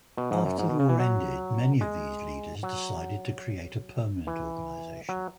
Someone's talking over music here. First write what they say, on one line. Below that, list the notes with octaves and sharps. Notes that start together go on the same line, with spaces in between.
After the war ended, many of these leaders decided to create a permanent organization.
B2
G#2
F#2
G#2
B2
C#3
E3
F#3
G#3
F#3
E3
F#3